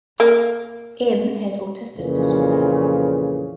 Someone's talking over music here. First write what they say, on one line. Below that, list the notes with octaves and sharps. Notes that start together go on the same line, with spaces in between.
M has autistic disorder.
A#3
F2 A#2 C#3 E3